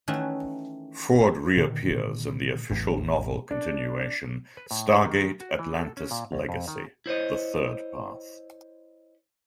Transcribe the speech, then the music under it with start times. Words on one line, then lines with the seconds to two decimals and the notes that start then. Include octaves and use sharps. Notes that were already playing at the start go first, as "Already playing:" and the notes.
Ford reappears in the official novel continuation "Stargate Atlantis Legacy: The Third Path".
0.08 D#3 E3 A3 C#4 E5 F#5
1.57 A#2 D3 D#3
2.70 A1 E2 A2
3.51 D4
4.57 B4
4.71 A2
4.91 E4
5.05 D#3
5.41 F#4
5.59 E3
5.74 A4
5.97 C#4
6.11 A#2
6.32 C2
6.49 F2
6.68 D#3
7.06 E4 C5 C#5 D#5